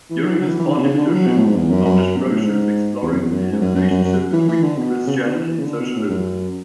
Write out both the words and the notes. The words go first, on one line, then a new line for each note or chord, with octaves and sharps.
During his party leadership, he published brochures exploring the relationship between Christianity and socialism.
E3
F#3
E3
F#3
E3
E3
D3
B2
C#3
D3
E3
F#3
B2
A2
G#2
E2
F#2
F#2
B2
A2
G#2
E2
F#2
E2
F#2
G#2
F#2
F#2
F#2
F#2
E3
E3
D3
B2
C#3
B2
D3
E3
C#3
D3
B2
A2
F#2